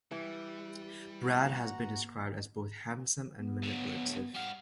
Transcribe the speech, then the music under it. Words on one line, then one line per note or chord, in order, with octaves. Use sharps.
Brad has been described as both handsome and manipulative.
E3 G3
A#3 F#4 F#5 A#5
B3
D3 F#3
G3 F5 F#5